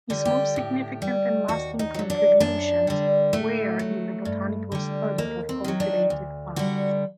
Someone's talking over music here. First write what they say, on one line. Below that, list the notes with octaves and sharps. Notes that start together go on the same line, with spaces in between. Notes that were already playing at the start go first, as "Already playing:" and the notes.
His most significant and lasting contributions were in the botanical study of cultivated plants.
D3 G3
G4
A2
G3
D#2 F#4
D#4
D3 F#3
D4
F#2 D4
D3 G3
A2 A3
F#3
G2
D3 G3
D#2 A#3
C4
D#3 F#3
D4
D2
D3 G3 F#4